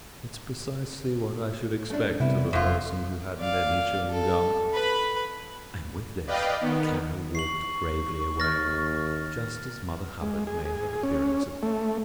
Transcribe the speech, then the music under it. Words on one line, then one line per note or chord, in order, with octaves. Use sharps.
"It's precisely what I should expect of a person who hadn't any chewing-gum." And with this the Cow walked gravely away, just as Mother Hubbard made her appearance at the window.
A3 C#4 D4
C3 G3 B3 E4
F1 F#2 F4 C5
D5 F5
A4
B4 B5
B4 D5 D#5 F5 G5
D#3 B3
C#6 C7 F#7
D#2 F6 A6 A#6
G#3
G#4
G#4
C#4
A3